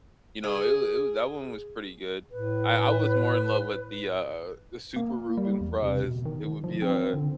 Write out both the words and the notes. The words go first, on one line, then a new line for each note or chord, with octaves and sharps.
you know, it was it was that one was pretty good. I I was more in love with the, uh uh the super Reuben fries, it would be, uh,
G#4
A2 B4
A#3
G3
E2
C3
B2
D#3
F3
C4
D3